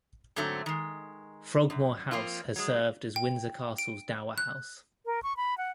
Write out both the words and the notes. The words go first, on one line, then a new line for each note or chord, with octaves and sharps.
Frogmore House has served as Windsor Castle's dower house.
G#2 D3 F#3 A3 C4 A#5
D#3 G#3
F#2
F3 A#3 C4 F4
F#3 G#3
G5
D7
F#6
A#4
C#6
B5
F#5